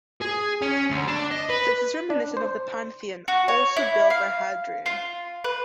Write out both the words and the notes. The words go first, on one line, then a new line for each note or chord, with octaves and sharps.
This is reminiscent of the Pantheon, also built by Hadrian.
G#4
C#4
D2
D4
D#5
B4
D4
C5
F#4
C#5
E4
F5
F4
B4